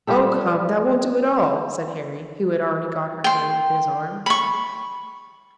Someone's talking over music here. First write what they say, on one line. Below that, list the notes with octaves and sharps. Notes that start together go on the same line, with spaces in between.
"Oh, come, that won't do at all," said Harry, who had already got her hand within his arm.
G3 F4 G4 A4
G5 C6
B5 C#6